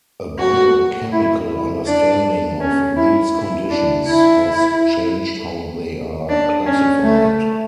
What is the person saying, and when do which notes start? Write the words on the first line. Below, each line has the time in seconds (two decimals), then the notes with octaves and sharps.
A biochemical understanding of these conditions has changed how they are classified.
0.39 F#4
1.12 E4
1.86 D4
2.61 C#4
2.96 E4
3.34 E4
3.70 D4
4.07 E4
6.29 D4
6.66 C#4
7.02 A3